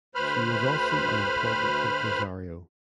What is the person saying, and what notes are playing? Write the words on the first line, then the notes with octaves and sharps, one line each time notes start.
She was also an important impresario.
D2 B4 C5 B5 F6